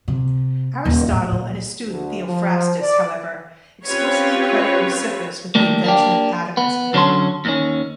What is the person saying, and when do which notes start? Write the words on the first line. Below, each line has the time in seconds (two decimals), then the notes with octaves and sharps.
Aristotle and his student Theophrastus, however, explicitly credit Leucippus with the invention of Atomism.
0.08 C3
0.85 D#1
1.12 A2
1.32 A#2
1.87 D2
2.27 F3
2.82 D5
3.85 C4 C#4 F4 G4 B4 C#5
5.55 D#3 G3 A3 A#3
5.84 A#3 D4 G4
6.57 B3
6.93 F#2 D3 F#3 C#4 A4 C6
7.45 D#2 D#3 C#4